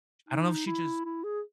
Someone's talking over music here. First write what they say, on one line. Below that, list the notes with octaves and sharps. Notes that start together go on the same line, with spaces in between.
I don't know if she, just
D#4
E4
E4
G#4